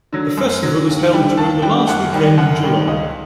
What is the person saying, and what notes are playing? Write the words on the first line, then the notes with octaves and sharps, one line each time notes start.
The festival is held during the last weekend in July.
D3 F#3
F#2
D3 F#3
D#2
D3 G3
D#2 A5
D3 G3 G5
F#2 F#5
D#3 G3
F#2 F#5
D#3 G3
C#2 D#5